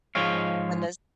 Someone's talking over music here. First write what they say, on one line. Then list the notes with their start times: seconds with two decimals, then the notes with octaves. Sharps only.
When those
0.15 G#2 F3 G#3 C#5 F5